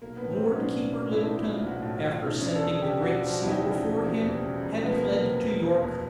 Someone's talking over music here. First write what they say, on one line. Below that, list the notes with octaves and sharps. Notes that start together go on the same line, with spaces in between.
Lord Keeper Littleton, after sending the great seal before him, had fled to York.
B1 A#3
B3
A2
C4
F#3 C#4
D#4
B1 D4
B1
A2
E4
F#3 D#4
E4
B1
F4
B1 F#4
A2 F4
F#4
F#3
F4
B1 D#4
C#4
F3 D4
A4
E2 G#4
C#3 G4
E1 F#4
F4
F3
F#4
E2 D#4 E4
C#3
E1
F3
E2
C#3
E1
F3 B3
A#3
E2
B3
C3
F1
F3
E2